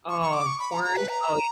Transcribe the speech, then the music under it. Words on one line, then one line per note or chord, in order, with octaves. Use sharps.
oh, corn? Oh
C#6
C#6
D6
C#6
B5
A#5
A#5
B4
A#5